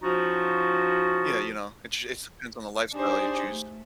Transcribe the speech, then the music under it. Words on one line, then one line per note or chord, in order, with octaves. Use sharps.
Yeah, you know, it sh it depends on the lifestyle you choose.
F3 C#4 D#4 F4 F#4
D4 D#4 G4 G#4 C5
A3